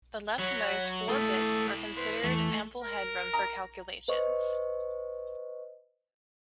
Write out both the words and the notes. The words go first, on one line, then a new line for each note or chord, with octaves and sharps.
The leftmost four bits are considered ample headroom for calculations.
F#3 C#5 F#5 B5
A3 E4 A4 G5 D#6
B4 C5
E2 E3 A3
A#4
A#5
B4 C5 D#5 C#6